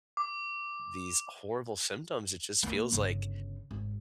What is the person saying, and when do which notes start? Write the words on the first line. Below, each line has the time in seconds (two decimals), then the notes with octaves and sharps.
these horrible symptoms, it just feels like,
0.17 D6
2.63 A#3 B3
2.92 G1 C#3
3.71 G#1